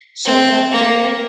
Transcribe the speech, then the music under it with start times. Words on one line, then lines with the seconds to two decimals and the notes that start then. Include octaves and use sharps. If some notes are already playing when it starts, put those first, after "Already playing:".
shows up daily?
0.25 C4
0.71 A#3